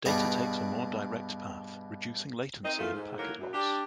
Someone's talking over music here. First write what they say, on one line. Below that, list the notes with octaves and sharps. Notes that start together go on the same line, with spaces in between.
Data takes a more direct path, reducing latency and packet loss.
G2 B2 G#4 D5
C4 D#4
E2 A#2 A3 F4
G#2
A2 D#3 F#3 A#3
F#2
D4 G4